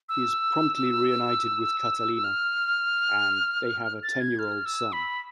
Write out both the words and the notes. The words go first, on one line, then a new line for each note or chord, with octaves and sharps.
He is promptly reunited with Catalina, and they have a ten-year-old son.
E6
F6
A6
G#6
F6
E6
B5